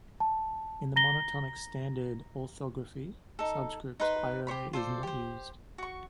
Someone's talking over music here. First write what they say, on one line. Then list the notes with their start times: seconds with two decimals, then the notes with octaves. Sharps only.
In the monotonic standard orthography, subscript iota is not used.
0.20 A5
0.96 A#5 A#6 G7
3.39 D#4 A4
4.00 D#4 B4 C6
4.47 G4 C5 C#5 B5
4.73 F4 A4 C5 D5
5.03 G4 C5
5.78 F#4 C#6